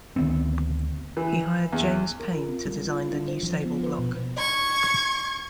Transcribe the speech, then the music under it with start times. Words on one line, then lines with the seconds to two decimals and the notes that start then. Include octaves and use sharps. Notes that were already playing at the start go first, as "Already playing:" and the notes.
He hired James Paine to design the new stable block.
0.16 D2 D#3 B3 C4
1.17 E3
1.73 E2
2.20 A#4
2.33 F4
2.49 C4
2.65 G3
2.85 F4
2.99 E4
3.11 D4
3.28 C5
3.43 F3
3.65 B3
3.83 B4
3.99 B2
4.38 C#6 G#6